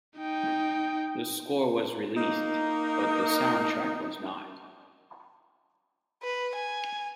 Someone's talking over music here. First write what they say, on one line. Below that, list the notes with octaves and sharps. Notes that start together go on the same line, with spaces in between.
The score was released, but the soundtrack was not.
D#4 G5
A#3 D#4
B4
G#5